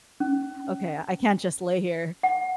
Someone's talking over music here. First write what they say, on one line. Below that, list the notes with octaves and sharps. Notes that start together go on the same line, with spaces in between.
ok, I can't just lay here,"
C#4
F#5